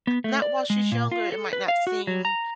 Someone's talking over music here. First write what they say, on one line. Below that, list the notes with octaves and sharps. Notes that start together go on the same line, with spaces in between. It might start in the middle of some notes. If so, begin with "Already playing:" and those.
not while she's younger, it might not seem,
B3
A3
D5
G#3
A#2
F4
A4
B4
F5
F#4
F#3
A#5